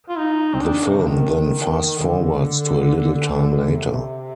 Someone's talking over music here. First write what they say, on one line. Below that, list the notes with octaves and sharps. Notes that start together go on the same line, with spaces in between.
The film then fast forwards to a little time later.
F4
D#4
C4
D4
C3
D3
D#3
D3
C3